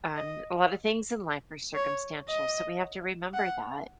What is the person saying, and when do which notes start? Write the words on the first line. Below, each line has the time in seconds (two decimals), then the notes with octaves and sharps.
Um, a lot of things in life are circumstantial, so we have to remember that.
0.16 D#5
1.75 C#5
2.29 D#5
3.34 F#5